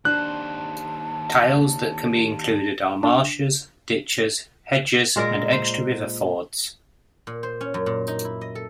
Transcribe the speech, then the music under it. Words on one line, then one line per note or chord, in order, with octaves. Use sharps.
Tiles that can be included are marshes, ditches, hedges and extra river fords.
D#2 D4 C5 A5 F#6
D4
A#2 G#3 A#4 D5
C5
A#2
C5
C#4
F#2
A#2
D#4
E4
D#5
A4